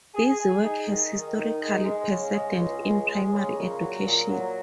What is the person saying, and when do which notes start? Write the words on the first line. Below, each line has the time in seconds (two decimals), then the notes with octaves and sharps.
Busy work has historical precedent in primary education.
0.14 G#4
0.39 G#4
0.64 D#4
0.88 D#3
1.13 D#3
1.37 D#4
1.61 G#3
1.85 G#3
2.10 C#3
2.34 G#3
2.58 C#2
2.82 G#3
3.07 G#3
3.32 C#3
3.56 A#2
3.80 F#3
4.06 A#2
4.29 F#3